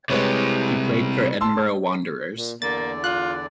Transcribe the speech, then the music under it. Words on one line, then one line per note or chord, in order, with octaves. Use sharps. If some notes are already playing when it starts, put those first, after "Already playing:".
He played for Edinburgh Wanderers.
C3 G3 G#3 B4 C#5
A5 C6 E6
A#2
E2 D3 A#3 D5 A6
F4 F#6